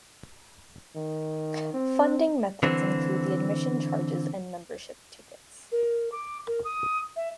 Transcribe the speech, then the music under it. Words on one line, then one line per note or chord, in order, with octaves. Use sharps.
Funding methods include the admission charges and membership tickets.
D#3
C4
D3 E3 C4
A#4
D6
A#4
D#6
E5